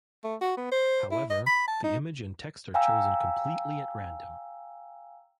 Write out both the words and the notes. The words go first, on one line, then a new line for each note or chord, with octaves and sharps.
However, the image and text are chosen completely at random.
A3
F#4
B3
C5
E4
D#5
B5
A5
D#4
F5 G5 G#5 A#5 E6